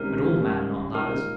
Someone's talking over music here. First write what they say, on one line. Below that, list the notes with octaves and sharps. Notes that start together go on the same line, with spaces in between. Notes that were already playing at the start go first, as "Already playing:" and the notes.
But all men are not liars.
Already playing: C2 C3 D#3 G#3 C#4 A#4
C#2 C#3 G3 C#4
A#2 G#3 D#4 A#4